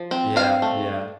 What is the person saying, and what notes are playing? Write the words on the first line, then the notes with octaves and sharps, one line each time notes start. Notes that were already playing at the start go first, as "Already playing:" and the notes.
Yeah, yeah.
Already playing: F3
C4
C4 F5
A3